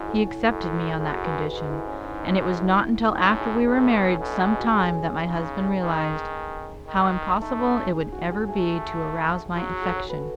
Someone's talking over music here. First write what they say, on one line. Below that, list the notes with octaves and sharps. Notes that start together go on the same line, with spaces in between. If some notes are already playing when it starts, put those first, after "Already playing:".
He accepted me on that condition, and it was not until after we were married some time that my husband realized how impossible it would ever be to arouse my affection.
Already playing: G#2 C#4 E4 F#4
A4
C#5
F#2
F#2 G#4
F#4
B4
A4
G#2 G#4
E4
C#4
D#4
E4
F#4
E4
E4
A2 D#4
C#4
G#3
F#3
A2 G#3
B3
A3
C#4
B2 A3
A3
G#3
F#3
G#3
C#3 D#4
D#3
D#3
A3 D#4
C#4
G#4
F#4
G#4
A3 G#4
F#3 F#4
F#4
A4
C#5
B4